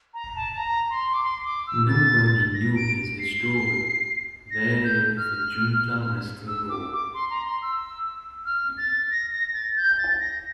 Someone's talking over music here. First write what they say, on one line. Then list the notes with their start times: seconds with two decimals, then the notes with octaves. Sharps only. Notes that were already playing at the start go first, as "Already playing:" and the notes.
Nobody knew his history, they of the Junta least of all.
0.14 A#5
0.36 A5
0.53 A5
0.57 A#5
0.90 C6
1.14 D6
1.23 C6
1.45 D6
1.67 E6
1.88 A6
2.54 A#6
2.76 D7
3.19 C7
4.51 A#6
4.84 G6
5.17 F6
6.47 E6
6.69 D6
6.92 D6
7.14 C6
7.30 A#5
7.46 C6
7.62 E6
8.45 F6
8.78 A6
9.11 A#6
9.32 A#6
9.54 A6
9.77 G6
9.98 A6
10.20 A#6